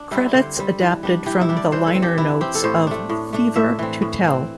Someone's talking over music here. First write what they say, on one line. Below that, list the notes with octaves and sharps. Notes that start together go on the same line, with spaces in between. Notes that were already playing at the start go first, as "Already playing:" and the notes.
Credits adapted from the liner notes of "Fever to Tell".
Already playing: D4
G3 C4 E4
D3 C5
G3 C4
E3
G3 D4
E3 G4
E4
G3 D4
D5
E3 C5
A4
C4
G4
E3 E4
C4 G4
A4
A2 C5
A3 D4
A2
A3 D4
A2 E5
E3 C4
A2
E3 C4